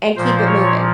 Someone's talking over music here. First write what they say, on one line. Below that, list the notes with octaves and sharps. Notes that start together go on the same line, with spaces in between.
and keep it moving."
A#2 F3 C5
C#5